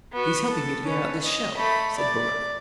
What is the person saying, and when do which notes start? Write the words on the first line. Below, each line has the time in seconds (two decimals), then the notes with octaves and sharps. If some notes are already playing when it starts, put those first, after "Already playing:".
"He's helping me to get out this shell," said Borrowe.
0.13 B3 F#4
0.49 A4
0.85 C#4 B4
1.24 D#5
1.56 A3 B5
1.98 D5